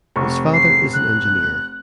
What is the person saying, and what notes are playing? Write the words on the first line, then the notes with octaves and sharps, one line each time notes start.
His father is an engineer.
F1 C#6
C7
F#6